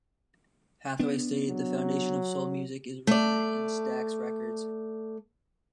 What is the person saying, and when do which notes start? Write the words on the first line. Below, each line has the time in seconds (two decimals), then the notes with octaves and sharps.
Hathaway stated, The foundation of soul music is rooted in Stax Records.
0.99 B3 D4
1.48 F#3
3.07 A3 D5